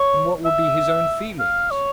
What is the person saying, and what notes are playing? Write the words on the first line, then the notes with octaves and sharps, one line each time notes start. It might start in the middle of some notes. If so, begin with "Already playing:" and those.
And what would be his own feelings?
Already playing: C#5
E5
F5
C#5